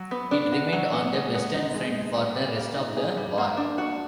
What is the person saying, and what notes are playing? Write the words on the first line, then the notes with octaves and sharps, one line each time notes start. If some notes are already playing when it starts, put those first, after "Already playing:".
It remained on the Western Front for the rest of the war.
Already playing: F#3
B3
D4
F#4
F#3
B3
G#3
B3
D#4
G#3
G#3
B3
G3
A#3
D#4
G#4
G3
A#3
D4
F#4